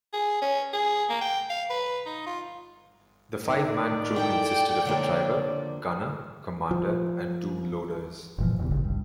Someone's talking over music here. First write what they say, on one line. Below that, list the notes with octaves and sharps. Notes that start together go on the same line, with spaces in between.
The five-man crew consisted of a driver, gunner, commander and two loaders.
G#4
C#4
G#4
A#3
G5
F5
B4
D#4
F4
D#3 D5
E4 G#4 A4 G5
D3 F3 A#3 C#5
F3
F#1 A#2 E3 F3
E1 E2 C3
D#1 G#1 C#2 C#3
G2